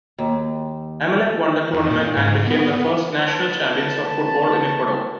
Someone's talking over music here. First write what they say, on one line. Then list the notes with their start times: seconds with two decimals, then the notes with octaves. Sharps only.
Emelec won the tournament and became the first national champions of football in Ecuador.
0.18 D#2
1.73 F2
1.90 A#2
2.16 G#2
2.47 B3
3.21 B4 C#5 A5